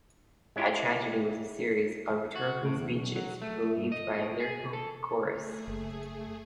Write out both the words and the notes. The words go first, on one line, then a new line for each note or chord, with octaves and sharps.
A tragedy was a series of rhetorical speeches relieved by a lyric chorus.
G#3 C#4 E4 F4 G4
F#4
A2
E2
B1
F#3
A3
G2
D#5
A2
G#4
A4
A3 G#4
F#1